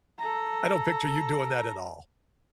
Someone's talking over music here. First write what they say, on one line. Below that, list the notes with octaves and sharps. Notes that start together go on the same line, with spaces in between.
I don't picture you doing that at all.
A4 A#5